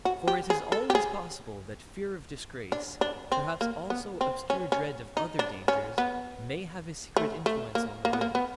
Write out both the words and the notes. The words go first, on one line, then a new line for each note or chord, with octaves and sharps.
For it is always possible that fear of disgrace, perhaps also obscure dread of other dangers, may have a secret influence on the will.
F#4
G4
G#4
A4
G4
G#4
D4
D4
C4
A#3
B3
C4
C#4
C#4
D#4
D4
C#4
B3
A3
A3
A#3
A#3
B3
A#3
B3